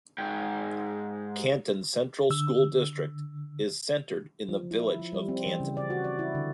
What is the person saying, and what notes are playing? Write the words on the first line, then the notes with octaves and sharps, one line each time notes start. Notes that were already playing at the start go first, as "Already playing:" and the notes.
Canton Central School District is centered in the village of Canton.
G#2 G5
D3 E6
F3
E4
F3
G3
C4
E3
C#3
D5
F#4
D5
E4
D3